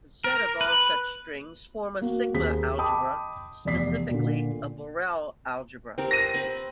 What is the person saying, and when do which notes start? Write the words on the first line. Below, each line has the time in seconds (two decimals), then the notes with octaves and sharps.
The set of all such strings form a sigma algebra, specifically, a Borel algebra.
0.24 A#4
0.61 B4
2.01 A#3 F#4
2.34 D#2 C4 G#4 B6
2.78 D#5 G5 A5 B5 D6 D#6
3.65 F1 E2 D5 B6 C7
4.11 A#2 D3
5.98 C4 G4 A#4
6.11 A#6 D#7
6.34 C4 B5